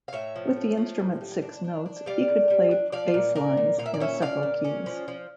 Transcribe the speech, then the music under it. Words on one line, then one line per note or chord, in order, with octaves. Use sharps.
With the instrument's six notes, he could play bass lines in several keys.
F5
A2 C#5 E5
F3
A3
F3
A2
G3
D4
D4
D4
G3 D5 F5
C#3
G3
D4
F3 D5 F5
A#2
A#2 A#4 D5
A#2
A#2 F5
E5
D5
C#4 C#5 E5
F3 D5 F5
A#2
C#4
F3
F3